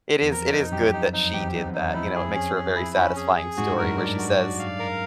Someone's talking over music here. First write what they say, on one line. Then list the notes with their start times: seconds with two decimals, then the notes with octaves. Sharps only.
it is it is good that she did that, you know, it makes for a very satisfying story where she says,
0.21 E2
0.31 F2 A#4
0.52 D#4
0.72 F#2 G4
0.93 D#4
1.13 F2 D#4
1.33 E2 G4
1.40 F2
1.54 D#4
1.61 F2
1.67 E2
1.74 D#4
1.94 F2 E4
2.15 G#4
2.35 C#4
2.55 G#4
2.75 E4
2.96 C#4
3.16 G#4
3.37 G#4
3.57 G#2 F#4
3.70 G2
3.78 F#2 A#4
3.96 G2 D5
4.18 F#4
4.39 D5
4.59 F5
4.79 A#4